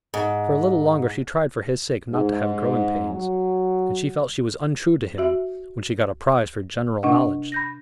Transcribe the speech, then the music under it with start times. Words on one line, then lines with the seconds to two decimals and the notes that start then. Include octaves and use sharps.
For a little longer she tried for his sake not to have growing pains; and she felt she was untrue to him when she got a prize for general knowledge.
0.14 G#2
2.11 G#2
3.09 F#3
5.18 F#4 E5
7.03 C3 D4 D#5 F#5
7.52 B5 G6 A#6